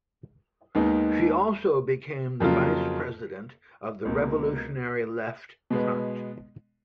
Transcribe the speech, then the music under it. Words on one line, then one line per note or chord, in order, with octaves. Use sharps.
She also became the vice-president of the Revolutionary Left Front.
D#2 D#3 G#3 B3 D#4
F2 C#3 F#3 A#3 F4
C#2 B2 A#3
B2 G#3 B3